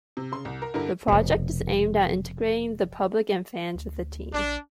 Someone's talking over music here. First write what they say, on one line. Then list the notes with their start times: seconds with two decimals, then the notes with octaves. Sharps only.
The project is aimed at integrating the public and fans with the team.
0.17 C3
0.32 C#3 C6
0.45 C2
0.62 A#4
0.74 G2 D3 E4 A#4
1.08 F1 B2
3.75 D2
4.33 A#1 D4